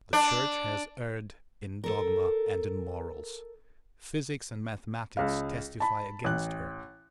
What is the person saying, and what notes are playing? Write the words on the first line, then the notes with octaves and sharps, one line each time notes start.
The Church has erred in dogma and in morals; physics and mathematics testify against her.
D4
A4 A#4
C#2 F5
A5 B5
A1 F#6